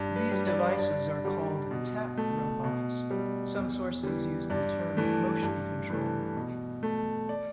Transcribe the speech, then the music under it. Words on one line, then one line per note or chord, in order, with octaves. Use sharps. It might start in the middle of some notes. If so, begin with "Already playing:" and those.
These devices are called tap-robots; some sources use the term motion control.
Already playing: G2
B4
G3
D5
G2 D5
D3 G3
B2
A3
B2
G3
E2
E3 G3
G2 D5
E3 A3
G2
E3 A3
B2
A3
D5